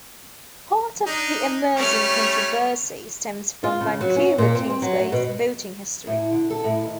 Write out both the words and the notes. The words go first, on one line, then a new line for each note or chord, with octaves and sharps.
Part of the Emerson controversy stems from Vancouver Kingsway's voting history.
D4 D#4
G3 A3 C#4 C#5 F6
F4
C#3
F#3
C#4
A#2
C4
C4
F#3
A3
B2
A2
D3
A4
A2
D#2